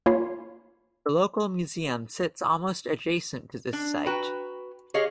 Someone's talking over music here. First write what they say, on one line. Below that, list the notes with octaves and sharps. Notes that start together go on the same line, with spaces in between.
The local museum sits almost adjacent to this site.
A#3 F4 C#5 G#5 B5 C7
D4
F#4 B4 G5 A#5
G4 G#4 C#5 D#5 F5